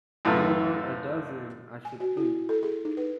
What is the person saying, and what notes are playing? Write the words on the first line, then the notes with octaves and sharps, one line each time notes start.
Nearer a dozen, I should think.
F#2 A2 B3 F4 A4 F6
G#5
F#4
E4
A4
G#4
D#4
B4